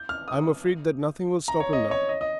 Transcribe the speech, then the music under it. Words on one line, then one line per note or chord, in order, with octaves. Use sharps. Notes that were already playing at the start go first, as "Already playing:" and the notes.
I am afraid that nothing will stop him now.
Already playing: G6
F6
D#6
A#5
C#5
D#5
C#5
D#5
D#5